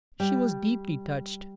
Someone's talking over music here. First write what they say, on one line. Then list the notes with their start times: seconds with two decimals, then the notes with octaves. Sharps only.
She was deeply touched.
0.20 G3